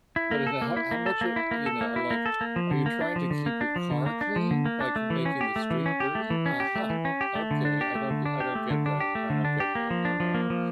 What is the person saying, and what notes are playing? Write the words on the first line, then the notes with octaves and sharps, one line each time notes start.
the the the h how much, uh, you know, uh, like, are you trying to keep your car clean by c making the street dirty? Aha, okay, I don't get I don't get that. I don't get that at all,
E4
A#3
A4
A#3
E4
A#3
A4
A#3
E4
A#3
A4
A#3
E4
A#3
A4
A#3
F3
D3
A#3
D4
F3
D3
A#3
D4
F3
D3
A#3
D4
F3
D3
A#3
D4
A3
E3
C#4
G4
A3
E3
C#4
G4
A3
E3
C#4
G4
A3
E3
C#4
G4
A3
D3
D4
G4
A3
D3
D4
G4
A3
D3
D4
G4
A3
D3
D4
G4
A#3
F3
D4
F3
A#3
F3